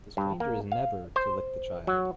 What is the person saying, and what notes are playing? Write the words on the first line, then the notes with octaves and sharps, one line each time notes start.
The stranger is never to lick the child.
G2
A#3
F5
C5
F#3